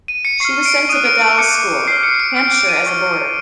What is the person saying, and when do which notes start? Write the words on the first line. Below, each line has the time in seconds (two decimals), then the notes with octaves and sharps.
She was sent to Bedales School, Hampshire as a boarder.
0.08 D#7
0.25 C#7
0.40 C#6 F6 C7
0.66 D7
0.89 D#6 F#6 D#7
1.05 D7
1.22 D7
1.38 D6 G6 C#7
1.87 D6 F6 C7
2.03 C#7
2.20 D7
2.36 D6 F6 D7
2.53 D7
2.68 D#7
2.86 C#6 F6